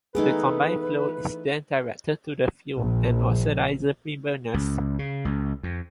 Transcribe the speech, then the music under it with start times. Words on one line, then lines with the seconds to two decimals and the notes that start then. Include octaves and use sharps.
This combined flow is then directed to the fuel and oxidizer preburners.
0.15 E3 A3 B3 D#4 G#4 B4
2.77 A#1
4.54 C#2
4.99 C#3
5.25 C#2
5.63 F2